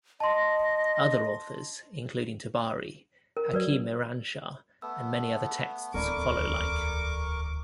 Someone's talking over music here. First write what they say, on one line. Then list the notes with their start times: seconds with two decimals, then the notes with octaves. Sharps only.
Other authors, including Tabari, Hakim Iranshah and many other texts follow like.
0.20 D#5 A5 C6
3.37 A#4
3.53 F#3 A#4 B4 D5
4.82 A3 B3 E6
5.94 D1 E2 A4 A#4 D5 B5 C#6 D6